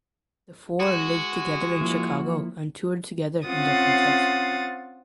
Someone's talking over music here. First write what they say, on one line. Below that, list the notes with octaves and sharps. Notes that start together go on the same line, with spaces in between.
The four lived together in Chicago and toured together in their quintet.
G#3 F#4
F3 A#3 E4
C4 C#4 F4 F#5 D#6 A6